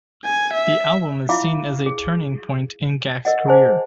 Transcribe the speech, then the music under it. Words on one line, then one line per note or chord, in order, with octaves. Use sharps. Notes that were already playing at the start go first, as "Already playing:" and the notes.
The album is seen as a turning point in Gackt's career.
G#5
E5
E4 F4 E5 F5 D6
G#4
A#4 D#5 F#5
G#4 C5 F#5 G#5 A5